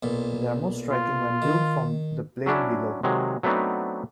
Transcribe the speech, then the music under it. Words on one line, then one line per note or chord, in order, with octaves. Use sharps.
They are most striking when viewed from the plain below.
B1 A#2
F4
D#3
F#3 C#4 D4 E4
C3 D#3 F#3 G#3
F#3 A3 B3 C4 D4 D#4